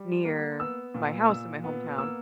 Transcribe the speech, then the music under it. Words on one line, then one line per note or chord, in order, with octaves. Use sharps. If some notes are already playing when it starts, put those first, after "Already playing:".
near my house in my hometown.
Already playing: G3
A#3
B3 E6
A#2
A#2 E6
B3
A#3 E6